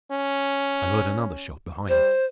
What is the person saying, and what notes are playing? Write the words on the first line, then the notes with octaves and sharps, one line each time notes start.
I heard another shot behind me.
C#4
G3 C5